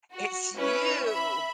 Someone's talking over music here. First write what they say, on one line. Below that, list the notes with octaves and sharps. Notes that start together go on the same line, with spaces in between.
it's you
F#4
C#4 E4 B4
E5 B5